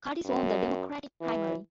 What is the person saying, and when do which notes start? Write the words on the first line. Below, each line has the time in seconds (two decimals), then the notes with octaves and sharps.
Curtis won the Democratic primary.
0.25 F#2
1.21 E3